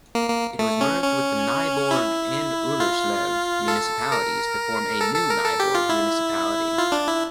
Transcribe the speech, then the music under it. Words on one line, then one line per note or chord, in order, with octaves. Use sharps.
It was merged with Nyborg and Ullerslev municipalities to form a new Nyborg municipality.
A#3
A#3
A3
C#4
C#4
E4
F4
A4
A#4
A4
A4
A#4
A4
G4
F4
E4
F4
D4
E4